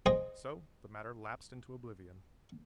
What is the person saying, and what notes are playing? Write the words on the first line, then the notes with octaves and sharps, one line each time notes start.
So the matter lapsed into oblivion.
G#4 C5 D#5 G5 G#5